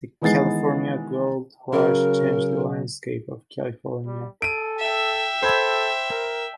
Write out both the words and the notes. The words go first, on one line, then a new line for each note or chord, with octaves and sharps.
The California Gold Rush changed the landscape of California.
D#3 E3 G#3 B3 A6 C7
C#3 F#3 A#4
G3
A4 D7 D#7
E5 G5
A4 C5 B5 G#6
A#4